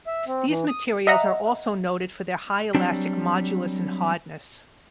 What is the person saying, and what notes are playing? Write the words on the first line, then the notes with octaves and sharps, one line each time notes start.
These materials are also noted for their high elastic modulus and hardness.
E5
C4
E3
D#6
D#5 E5 F#5 A#5
F#3 G3 C4 D4